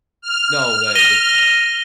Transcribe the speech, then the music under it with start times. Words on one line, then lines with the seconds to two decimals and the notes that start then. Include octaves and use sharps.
No way, they
0.22 F6
0.95 A#6 D#7 G7